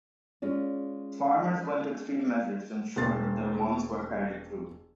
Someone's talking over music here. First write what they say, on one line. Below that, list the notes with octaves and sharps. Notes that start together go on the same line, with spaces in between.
Farmers went to extreme measures to ensure that their wants were carried through.
G#3 C#4 F4 D5
E1 A#3 C6 A6